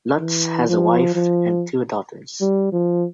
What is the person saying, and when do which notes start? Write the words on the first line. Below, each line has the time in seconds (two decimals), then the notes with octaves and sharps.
Lutz has a wife and two daughters.
0.21 E3
0.69 F3
1.15 F3
2.41 G3
2.73 F3